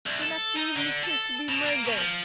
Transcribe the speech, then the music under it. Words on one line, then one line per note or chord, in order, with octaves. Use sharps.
Do not leave me here to be murdered!
C2
A4
D#4
D3
A4
B2
A#3
B2
F3